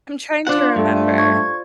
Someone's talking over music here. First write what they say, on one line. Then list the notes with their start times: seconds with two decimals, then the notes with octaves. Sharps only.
I'm trying to remember.
0.47 D4 F4 C5 D5 F#5
0.76 G2 A3
1.18 C#6 G#6